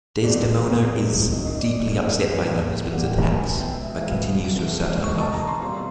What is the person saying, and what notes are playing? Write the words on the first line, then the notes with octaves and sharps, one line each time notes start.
Desdemona is deeply upset by her husband's attacks but continues to assert her love.
E2 B2 G#3 C4 D5
E2 B2 G#3 C4
F#2 D#3 F#3 D#5
D#5
D5
D5
F#2 D#3 F#3 D#5
A2 E3 G3 A#3
A2 E3 G3 A#3 F#5
G5
G#5
A5
B2 F#3 B3 E4 G#5
G5
E5
E5
B2 F#3 B3 E4 F5
C3 E3 A3
C3 E3 A3 D#5
A5
A#5
C6
B2 G3 C4 F4 C6